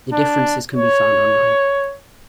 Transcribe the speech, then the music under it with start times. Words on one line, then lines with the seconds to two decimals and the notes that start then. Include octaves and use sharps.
The differences can be found online.
0.12 D4
0.74 C#5